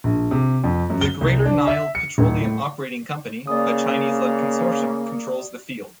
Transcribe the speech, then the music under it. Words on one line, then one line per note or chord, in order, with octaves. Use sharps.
The Greater Nile Petroleum Operating Company, a Chinese-led consortium, controls the field.
A#1
C3
F2
F#2
G7
C2
D4
E5
C#7
D#1
A2
C#3 A#3 D5 D#6